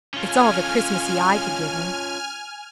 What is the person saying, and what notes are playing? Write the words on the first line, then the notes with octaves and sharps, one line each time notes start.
It's all the 'Christmassy' I could give them.
C#4 F4 A4 G#5 F6